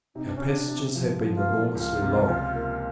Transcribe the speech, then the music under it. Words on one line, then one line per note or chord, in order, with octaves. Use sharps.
Our passages have been enormously long.
C3 D#4
D4
C#4
C3 D4
C3
F3
F3
F4
A#3
C#2 F4
C3
C#2
A#3